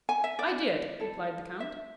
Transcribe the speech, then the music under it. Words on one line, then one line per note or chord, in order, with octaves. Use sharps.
"I did," replied the count.
G#5
E5
D5
E4 A4
E5